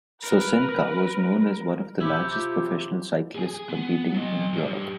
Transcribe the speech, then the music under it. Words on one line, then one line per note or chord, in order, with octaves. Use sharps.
Sosenka was known as one of the largest professional cyclists competing in Europe.
A#4 B4
C3 E4 G4
F4
G#4 G#5
B3
F#3 D#5
G2 G3